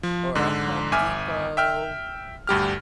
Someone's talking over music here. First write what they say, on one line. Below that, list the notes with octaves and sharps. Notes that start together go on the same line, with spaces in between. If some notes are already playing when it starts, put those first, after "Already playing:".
or a Home Depot
F3
G#2 D3
G1 E5 G#5 D6 F6
E5 G5 F6
D2 G2 G4 F6